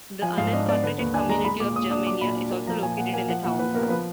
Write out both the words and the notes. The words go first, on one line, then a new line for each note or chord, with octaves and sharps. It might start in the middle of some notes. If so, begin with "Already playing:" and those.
The unincorporated community of Germania is also located in the town.
F3 G#5
G#2 F5
D4 D#5
B3 D5
D3 B4
D#2 B4
D4 G#5
G#3 A#5
G#3 B5
A#2 D6
A#2 D#6
D4 D#6
F#3 D6
A#2 B5
D4
A#3
F3 A#5
A#2 G#5
A#2 F#5
A#3 G#5
F3 F#5
A#2 F#5
A#2 B4
B3 A#4
F3 B4